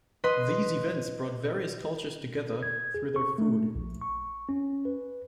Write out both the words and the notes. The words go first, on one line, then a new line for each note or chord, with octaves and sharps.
These events brought various cultures together, through their food.
B4 D#5 C6
G#6
G#4
C#6
A3
A#1
C#6
C#4
B4